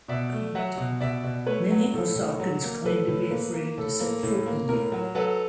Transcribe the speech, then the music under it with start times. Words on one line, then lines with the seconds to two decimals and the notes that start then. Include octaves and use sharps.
Many Osakans claim to be afraid to set foot in the area.
0.08 B2 D5 E5
0.33 A3
0.55 F#3 E5 F#5
0.78 B2
1.01 B2 D5 E5
1.23 B2
1.46 A3 B4 C#5
1.70 F#3
1.93 A2 A4
2.16 A2
2.40 F#3
2.63 A#3
2.85 A2 A4 B4
3.08 A2
3.30 A#3
3.53 A#3
3.78 A2 A4
4.00 A#3
4.23 A2
4.46 A#3
4.69 A2 A#4
4.92 F#3
5.15 F#3 A4 B4